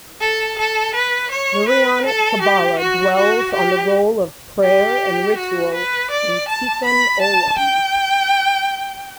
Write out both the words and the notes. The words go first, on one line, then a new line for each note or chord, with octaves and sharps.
Lurianic Kabbalah dwells on the role of prayer and ritual in "tikkun olam".
A4
A4
B4
C#5
B4
A4
G4
F#4
F#4
G4
G4
F#4
B4
D5
A5
B5
A5
G5